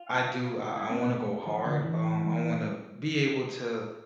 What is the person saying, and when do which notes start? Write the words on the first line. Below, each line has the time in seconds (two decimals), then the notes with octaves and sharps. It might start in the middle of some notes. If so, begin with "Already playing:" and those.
I do, I I wanna go hard, um, I wanna be able to
Already playing: F4
0.76 E4
0.89 C4
1.02 B3
1.16 A3
1.47 F3
1.65 D3
1.82 E3